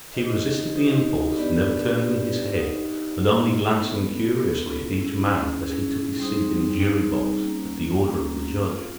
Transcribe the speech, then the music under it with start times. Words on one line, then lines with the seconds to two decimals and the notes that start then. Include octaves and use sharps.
But he resisted the impulse, never turning his head, and only glancing curiously at each man as he took his seat in the jury box at the order of the judge.
0.14 D#4 G4 C5 D#5
0.76 D#4 G4 C5 D#5
1.36 B3 D4 G4 B4 D5
1.96 B3 D4 G4 B4 D5
2.57 D#4 G4 C5 D#5 F#5
3.17 D#4 G4 C5 D#5 F#5
3.78 B3 E4 A4
4.39 B3 E4 A4
4.99 C#4 E4 G#4
5.60 C#4 E4 G#4
6.20 G3 C4 D#4 G#4 C5
6.80 G3 C4 D#4 G#4 C5
7.40 G3 A#3 C#4
8.02 G3 A#3 C#4
8.61 C4 F4 G#4 C5 F5